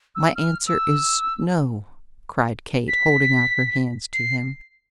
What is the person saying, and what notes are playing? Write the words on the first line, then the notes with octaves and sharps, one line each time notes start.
"My answer is 'no,'" cried Kate, holding out her hands to him.
E6
F6
E6
B6
C7